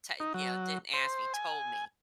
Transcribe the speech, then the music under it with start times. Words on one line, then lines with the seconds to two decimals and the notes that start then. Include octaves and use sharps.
To you know, didn't ask me, told me.
0.20 D#4
0.34 F#3
0.94 C5
1.34 G#5